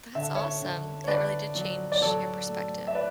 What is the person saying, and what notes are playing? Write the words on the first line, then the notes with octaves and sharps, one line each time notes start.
That's awesome. That really did change your perspective.
D3 E5
C#5 E5
D3
C#5
D3 B4 D5
F#3
D5
F#3 A4 C#5
A3
E5
B4 D5